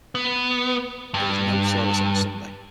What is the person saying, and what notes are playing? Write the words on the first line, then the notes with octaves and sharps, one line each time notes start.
There is no service on a Sunday.
B3
G2